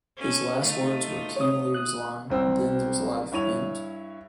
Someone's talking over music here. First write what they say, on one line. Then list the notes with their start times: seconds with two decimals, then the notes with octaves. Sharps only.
His last words were King Lear's line: Then there's life in't.
0.17 C#4 A4
0.60 A3 D#4 F4
1.36 C#5 D#6
1.74 D#6 F#6
2.30 C2 C4 E6
3.32 G2 E4 C#5 D#7 F7